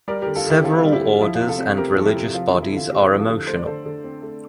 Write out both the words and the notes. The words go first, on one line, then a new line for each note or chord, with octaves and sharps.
Several orders and religious bodies are emotional.
G3 A#4 D5
D3 G4 A#4
F4 A4
D3 E4 G4
C4 F4 A4
F4
G3
E4 G4
D3
F3 E4
F4
C3
F4 A4
C4
A3 G4 A#4
F3 A4
E4 G4
C3
F3 F4
D3 F4
E4
D3 F4
C4 G4
A4
F3 E4 G4
F4 A4
D3
A3 C5
D5
D3 A4 C5
D3
C4
A3